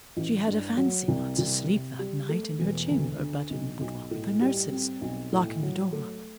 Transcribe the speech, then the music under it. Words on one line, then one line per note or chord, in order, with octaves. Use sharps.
She had a fancy not to sleep that night in her chamber, but in the boudoir with her nurses, locking the door on them.
A1
G2
F#3
C2
C2
C3
G3
A3
E1
D2
D3
B1
B1
A2
G3
C4
B1
A2
F#3
A3